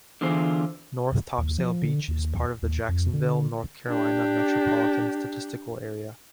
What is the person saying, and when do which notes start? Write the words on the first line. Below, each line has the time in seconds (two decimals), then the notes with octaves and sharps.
North Topsail Beach is part of the Jacksonville, North Carolina Metropolitan Statistical Area.
0.21 D3 E3 B3 F4 G#4 C5
1.38 D#2
1.58 F3
1.82 D3
2.08 D#2
2.62 D#2
2.89 F2
3.13 D3
3.88 D4 G4